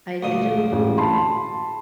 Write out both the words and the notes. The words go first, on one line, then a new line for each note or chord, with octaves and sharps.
I I do
D2 A#2 D#6
A1 G#3
A5 B5 C6